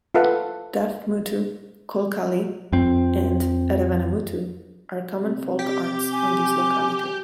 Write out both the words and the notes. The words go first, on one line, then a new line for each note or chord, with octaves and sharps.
Duff Muttu, Kolkali and Aravanamuttu are common folk arts of this locality.
F4 A4 B4 E5 F#5
F2 C4
C3
G4
G#5 D6